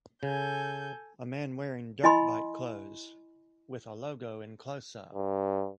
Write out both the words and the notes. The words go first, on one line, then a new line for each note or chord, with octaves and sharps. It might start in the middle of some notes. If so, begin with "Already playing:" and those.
A man wearing dirt bike clothes, with a logo in closeup.
C#3 A4 G#5 G6
E4 D#5 G#5 B5 C6
G2